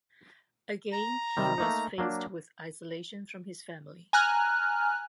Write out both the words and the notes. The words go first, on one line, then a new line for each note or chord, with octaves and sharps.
Again he was faced with isolation from his family.
A#5
C3 D#3 G3
A3 A#3 D#4
F#3 A#3 D4
G#5 A#5 F6 F#6